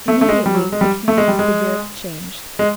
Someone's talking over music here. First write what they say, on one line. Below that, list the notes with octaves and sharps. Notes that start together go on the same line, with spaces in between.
Immediately the king's figure changed.
A3
A3
G#3
G3
F#3
G#3
G3
A3
G#3
G3
G#3
G#3